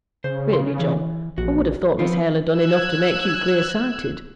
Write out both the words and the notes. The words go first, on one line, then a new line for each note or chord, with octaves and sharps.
Really, John, one would have thought Miss Hale had done enough to make you clear-sighted.
C#3 C5
C6
E3
A#1 F#4
F3 B3 C4 F4
E6 F#6 G#6